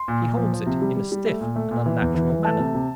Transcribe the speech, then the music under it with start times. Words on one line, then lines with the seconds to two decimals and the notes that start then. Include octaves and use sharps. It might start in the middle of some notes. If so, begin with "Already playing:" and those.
He holds it in a stiff and unnatural manner.
Already playing: C6
0.08 A#2
0.23 A#2
0.37 F3
0.53 F3
0.67 C3
0.82 G3
0.97 G3
1.12 G3
1.26 A3
1.41 A#2
1.56 A3
1.71 A#2
1.86 E3
2.01 E2
2.15 E3
2.30 E3
2.45 A3 A5
2.59 C3
2.74 C3